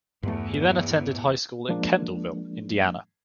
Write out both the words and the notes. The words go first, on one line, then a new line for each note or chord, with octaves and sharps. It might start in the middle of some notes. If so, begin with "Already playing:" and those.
He then attended high school in Kendallville, Indiana.
E2 G2 A3
F3 G#3 A#3 D4